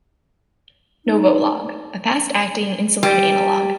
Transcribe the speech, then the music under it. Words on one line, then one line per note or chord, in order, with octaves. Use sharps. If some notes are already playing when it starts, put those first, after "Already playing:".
NovoLog - a fast-acting insulin analog.
D#4
G3